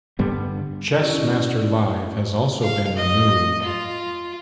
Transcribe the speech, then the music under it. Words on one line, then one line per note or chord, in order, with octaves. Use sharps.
"Chessmaster Live" has also been removed.
G2 D3 G3 B3
C#4 E4 G4 D5 D#5
F5
D#5
F4